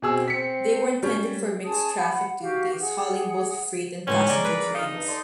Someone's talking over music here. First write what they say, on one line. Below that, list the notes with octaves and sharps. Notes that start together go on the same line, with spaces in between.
They were intended for mixed traffic duties, hauling both freight and passenger trains.
B2 C4 G#4 E6
C4 B6 C#7
G3 C#4
C#4 G#4 A5 D#6
F#5 B5
F#4 G4 F5
G#4 F#5
A2 D3 G#3 B3 C#4 G4 C5
C#3 G#3 A#3 A#4 D5
F2 G#4 B4
D#4 F4
G2
A4 D5 C6